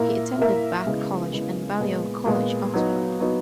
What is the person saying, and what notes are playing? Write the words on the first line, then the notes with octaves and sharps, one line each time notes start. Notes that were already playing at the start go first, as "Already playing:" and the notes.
He attended Bath College and Balliol College, Oxford.
Already playing: A#2 A#3 E4 A#4 E5
A#2 A#3 E4 A#4 E5
C#3 G#3 B3 E4
C#3 G#3 B3 E4
A#2 G#3 B3
A#2 G#3 B3
F#3 B3 D#4 F#4
F#3 B3 D#4 F#4